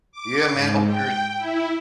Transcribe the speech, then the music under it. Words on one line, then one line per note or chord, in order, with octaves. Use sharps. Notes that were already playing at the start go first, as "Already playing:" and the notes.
yeah, man, hope your
D6
G#2
G5
E4